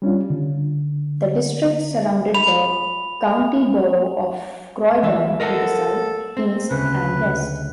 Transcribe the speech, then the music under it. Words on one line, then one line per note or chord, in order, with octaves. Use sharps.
The district surrounded the County Borough of Croydon to the south, east and west.
G3 C#4 D4 F4
D3
B5 F7
E3 E5
A4 A#4 D#5 F#5
C4
D2 C#3 B4